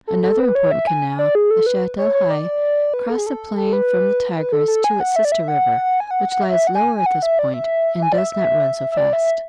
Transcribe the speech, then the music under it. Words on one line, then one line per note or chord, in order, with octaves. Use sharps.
Another important canal, the Shatt el Hai, crossed the plain from the Tigris to its sister river, which lies lower at this point, and does not run so fast.
A4
A4
B4
C#5
E5
G#5
D5
G#4
A4
B4
C#5
C#5
D5
B4
A4
G#4
A4
A4
B4
A4
A4
G#5
F#5
E5
D5
E5
F#5
G#5
F#5
E5
F#5
G#5
F#5
E5
D5
E5
G#5
D5
E5
E5
D5
E5